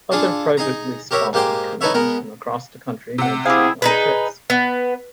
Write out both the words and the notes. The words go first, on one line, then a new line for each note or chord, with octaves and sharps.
Other privately sponsored canoes from across the country made similar trips.
D4 F4 G#4 A4
D#4 G#4 A#5
G4 A#4 C#5 E5
G#2 A#3 G4 G#4 C5 G5
D#4 E4 A4 B4 C#5 E5
G#3 B3 A#4
C3 F#5
C4 E4 G4 G#4 F5
D#4 G#4 B4
B3